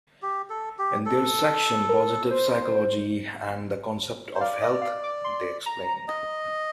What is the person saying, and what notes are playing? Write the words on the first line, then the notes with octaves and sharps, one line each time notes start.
In their section, "Positive Psychology and the Concept of Health", they explain.
G4
A4
G4
A4
A#4
C5
C5
D5 F5
D#5
F5
D6
C6
A#5
D#5